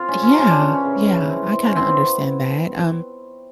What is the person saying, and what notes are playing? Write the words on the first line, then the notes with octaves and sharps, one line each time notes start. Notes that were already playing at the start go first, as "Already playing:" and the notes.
Yeah. Yeah. I kinda understand that. Um,
Already playing: C4 F4
C#4
C#3
C#4
C4 C#4
D4
E3 C#4
C#4
C#3
E3
C4
C4
C#4
B3 C4